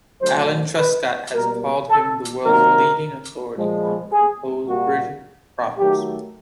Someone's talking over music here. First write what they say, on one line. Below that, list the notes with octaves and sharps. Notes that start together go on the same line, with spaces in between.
Alan Truscott has called him "the world's leading authority" on composed bridge problems.
D3 F#3 A3 C5
B4
B2 G3 A#3 A#4
A4
C3 D#3 F#3 A#3 A#4
A#2 F3 G#3
G#4
A#2 G3 A#3 F#4
D#3 F#3 A3 G4